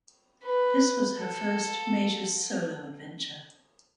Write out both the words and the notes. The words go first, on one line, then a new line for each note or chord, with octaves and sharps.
This was her first major solo adventure.
B4
A4